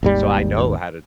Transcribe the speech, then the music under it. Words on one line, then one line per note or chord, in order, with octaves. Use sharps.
So, I know how to
G#1 D#2 G3